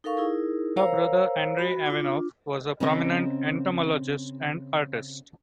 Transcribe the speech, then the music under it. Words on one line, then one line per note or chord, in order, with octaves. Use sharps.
Her brother Andrey Avinoff was a prominent entomologist and artist.
D#4 A4 A#4 F5 C#6
D#4 E4 G#4 A#4
A#4 C5 C#5 F5 A#5 E6
F#4 B5
D4 F4
C#3 C4 C#4 A#4 C5 D#5